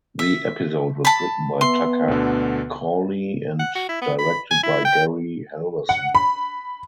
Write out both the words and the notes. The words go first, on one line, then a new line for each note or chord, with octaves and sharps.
The episode was written by Tucker Cawley and directed by Gary Halvorson.
E5
A5 B5
B3 E5 C6
D2 B2 D3
F#5
F#4
E4
B3
B5
G#5
E4
G5
F#5
B5